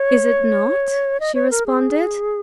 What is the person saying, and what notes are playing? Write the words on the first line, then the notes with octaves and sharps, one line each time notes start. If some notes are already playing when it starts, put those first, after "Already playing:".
"Is it not?" she responded.
Already playing: C#5
D#5
C#5
A#4
G#4